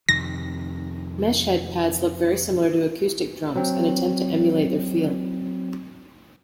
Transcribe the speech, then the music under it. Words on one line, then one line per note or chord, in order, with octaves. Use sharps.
Mesh-head pads look very similar to acoustic drums, and attempt to emulate their feel.
F2 C3 D#3 A#6
F#3 C4